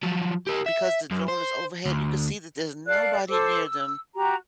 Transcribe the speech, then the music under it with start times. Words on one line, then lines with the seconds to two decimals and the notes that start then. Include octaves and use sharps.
because the drone is overhead, you could see that there's nobody near them
0.03 F3 F#3
0.47 G4 A#4
0.66 E5
1.11 F#2
1.28 C5
1.86 D2
2.86 A4 D5 F5 F#6
3.28 A4 C5 D6 E6
3.66 E6
4.14 F#4 G4 A#5